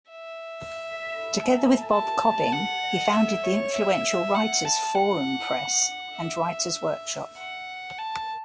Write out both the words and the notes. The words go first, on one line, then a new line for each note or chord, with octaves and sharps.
Together with Bob Cobbing, he founded the influential Writers Forum press and writers' workshop.
E5
A5
F#5
E5
C#5
E5
F#5
A5
F#5
E5
F#5
A5